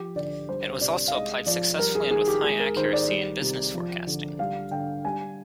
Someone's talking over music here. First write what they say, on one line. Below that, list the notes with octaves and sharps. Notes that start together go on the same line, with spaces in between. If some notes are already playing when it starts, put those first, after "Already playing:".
It was also applied successfully and with high accuracy in business forecasting.
Already playing: F3 G4
D3 D5
G3 C5
C3 D5
F5
G#3 D#5
F3 D5
G3 A#4
G#4
D#3 G#4
G4
G#3 G#4
A#4
D#3 C5
D5
G3
C3
F3
D3
G3 F5
D3 G5
G3 G#5